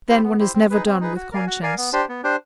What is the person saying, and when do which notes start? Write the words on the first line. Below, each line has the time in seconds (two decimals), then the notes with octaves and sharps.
Then, one is never done with conscience.
0.09 E4 G4 C5
0.24 B3
0.39 E4 G4 C5
0.54 C4
0.70 D#4 G#4 B4
0.86 C4
1.01 D#4 G#4 B4
1.16 F#4
1.32 A#4 D5 F5 G#5
1.47 F#4
1.62 A#4 D5 F5 G#5
1.77 B3
1.93 D4 G4 C5
2.09 B3
2.24 D4 G4 C5